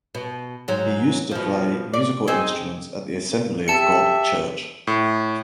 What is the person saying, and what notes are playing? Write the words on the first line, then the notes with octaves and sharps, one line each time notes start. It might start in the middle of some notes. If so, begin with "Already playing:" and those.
He used to play musical instruments at the Assembly of God Church.
B2
G#2 F#3
B2 F3
D5
C4 D#4 G#4
G4 E5 A5 C#7
A2